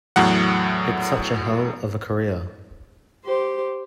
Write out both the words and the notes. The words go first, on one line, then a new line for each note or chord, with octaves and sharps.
It's such a hell of a career!
E2 A2 F#3 F#5
G4 C5